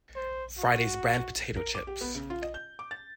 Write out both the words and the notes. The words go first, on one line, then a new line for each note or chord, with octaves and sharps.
Friday's brand potato chips.
C5
F#4
A#4
D6
G4
B3
C#3
F4
D#5
G6
D6
A6